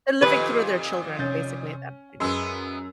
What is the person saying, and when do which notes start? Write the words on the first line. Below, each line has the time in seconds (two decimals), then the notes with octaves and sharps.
They're living through their children, basically, at that point.
0.22 F2 A#2 D#3 G4 B4
1.19 C3 C#4 G6 A6
2.20 F#2 G#3 B3 C6 E6